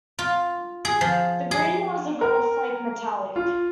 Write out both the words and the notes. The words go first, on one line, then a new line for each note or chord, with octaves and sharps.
The green was a gold flake metallic.
F4
G#4
F3
G#4
A#4
F4